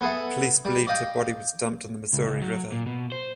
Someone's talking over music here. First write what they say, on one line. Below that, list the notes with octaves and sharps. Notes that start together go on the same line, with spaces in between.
Police believed her body was dumped in the Missouri River.
B3 G#4 A4 E5 B5
G3
D5 D#5 F5 G5
C#2
C#2
F#3
A#2
B2
C5